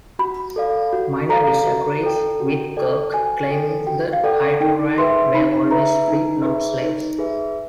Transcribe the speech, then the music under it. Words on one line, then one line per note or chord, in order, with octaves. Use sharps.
Miner disagrees with Kurke, claiming that hetairai were always free, not slaves.
F#4 B5
A4 D5 F5
F#4
A4 D5 F5 A#5
F#4
A4 D5 G5
F#4
A4 D5 G5
F#4 G#5
A4 D5 G5
F#4 G5
F5
A4 D5 F#5 G5
D#4 G5
G#4 B4 E5 C6
D#4 B5
G#4 B4 E5 A#5
D#4
G#4 B4 E5
D#4
G#4 B4 E5